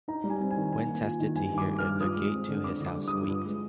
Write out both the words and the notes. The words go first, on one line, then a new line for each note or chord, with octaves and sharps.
Quinn tested to hear if the gate to his house squeaked.
D#4 A#5
G3
G#5
C4
G#5
D#3
D#3 G#5
A#3
F4
D#3
G2 G#5
D#3 D6
G3
F6
G2
F4 D#6
G#3
C4
D3
C4 D6
D3
D6
G3
D#6
G2
F4 D#6
G#3